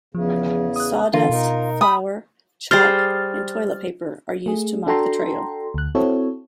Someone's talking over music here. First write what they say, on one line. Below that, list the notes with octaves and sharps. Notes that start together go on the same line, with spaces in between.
Sawdust, flour, chalk, and toilet paper are used to mark the trail.
E2 C#3 F3
D#6 F#6
D3 E3 D4 F4 A4
B2 D#4 A#4
B5 D#6
G3 G#4 C5 F6 A6
A3 G#4
D4 F#4 A4 G5 A#5 C6
D2 F#6
C4 E4 F#4 A4 C#5